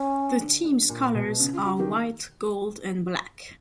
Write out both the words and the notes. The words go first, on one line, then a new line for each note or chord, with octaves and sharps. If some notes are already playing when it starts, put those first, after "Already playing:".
The team's colours are white, gold and black.
Already playing: C#4
D3
D3
A#2
B2
C#3 B3
F4
F#4
D#3 G4